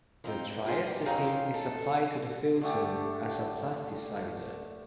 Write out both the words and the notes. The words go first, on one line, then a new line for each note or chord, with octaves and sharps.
The triacetin is applied to the filter as a plasticizer.
F3 C4 D#4
G2
A#3 F4 G#4 C5
G3
F2 D#4 G#4 C#5 F5 G5
A4
D3 A3 G4